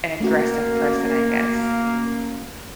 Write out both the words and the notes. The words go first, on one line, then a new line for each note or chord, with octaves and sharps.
an aggressive person, I guess.
A3 A#3 C#4 F#4